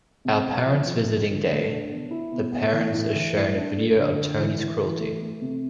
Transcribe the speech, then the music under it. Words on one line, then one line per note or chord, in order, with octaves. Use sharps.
On parents' visiting day, the parents are shown a video of Tony's cruelty.
C3
C4
F3
F3
A3
D3
A3
D4
B3
E4
B2
B3
E3
A2
E3
A2
D4
A3
D3
D3
E3
E3
E3
A3
A3
C3